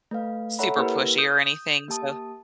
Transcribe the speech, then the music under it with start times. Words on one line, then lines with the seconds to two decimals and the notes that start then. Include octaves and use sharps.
super pushy or anything, so
0.11 A3 B4 F5
0.59 A4 C#5 E5 F#5 A#5 B5
0.76 A#3 E4 G4 A#4 B4
1.18 D#6 G6
1.88 A#3 G4 A5 D#6